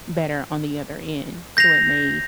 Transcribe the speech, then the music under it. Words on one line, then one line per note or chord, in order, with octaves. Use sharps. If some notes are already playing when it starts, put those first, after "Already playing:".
better on the other end, so it may
G6 A#6 C7 F7